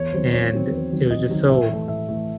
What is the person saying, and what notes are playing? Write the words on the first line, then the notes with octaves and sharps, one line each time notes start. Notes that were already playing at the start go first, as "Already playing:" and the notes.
and it was just so
Already playing: E2 C#5
D#3 F#3 C4 C5
E2 C#5
D#3 F#3 C4
E2
D#3 F#3 C4
E2 D#5
D#3 F#3 C4
A2 E5
E3 A3
A2 E5
E3 A3